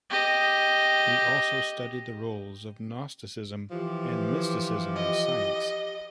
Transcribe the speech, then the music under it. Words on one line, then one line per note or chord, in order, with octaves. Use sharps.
He also studied the roles of gnosticism and mysticism in science.
G4 D#5
E3 F3 G4
D#5